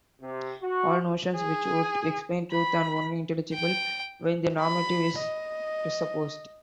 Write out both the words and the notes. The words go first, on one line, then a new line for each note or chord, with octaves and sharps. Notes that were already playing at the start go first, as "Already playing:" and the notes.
All notions which would explain truth are only intelligible when the normative is presupposed.
C3
F#4
G#4
B5
G5
B5
D#5